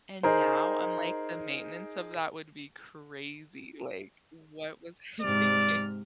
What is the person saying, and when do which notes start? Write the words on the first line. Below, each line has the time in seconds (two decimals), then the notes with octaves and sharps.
and now I'm like, "The maintenance of that would be crazy," like, what was I thinking?
0.23 D#4 G#4 A#4 C5
5.21 G#2 C3 D5 F6